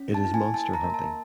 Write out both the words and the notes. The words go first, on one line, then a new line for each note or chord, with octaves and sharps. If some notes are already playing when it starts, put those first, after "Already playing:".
It is monster hunting.
Already playing: C#4
A5
E4
G#5
A#3 A5
A#5
A#3
A5